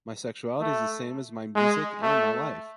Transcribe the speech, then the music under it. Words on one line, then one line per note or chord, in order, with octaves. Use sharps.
My sexuality is the same as my music and my life.
A3
G#3
A3